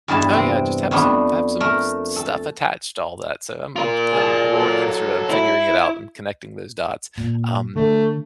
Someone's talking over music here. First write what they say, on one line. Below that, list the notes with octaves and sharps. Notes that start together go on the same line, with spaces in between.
oh, yeah, I just have some have some stuff attached to all that, so I'm, I'm I'm I'm working through it I'm figuring it out, I'm connecting those dots. Um,
E2 G2 E3 A5
C3 C4
F2 A3 B3 D4
A3 A#4
A4
F4 A#4
G#4 A5
F#3 A4
E4
A#2
D3 A3